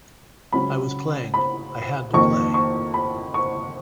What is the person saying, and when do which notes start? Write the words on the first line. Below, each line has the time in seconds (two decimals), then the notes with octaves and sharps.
I was playing, I had to play.
0.53 C#2 C#3 F#3 C#4 B5
1.34 B5
2.14 F2 D#3 A#3 C#6
2.54 C#6
2.94 B5
3.34 C#6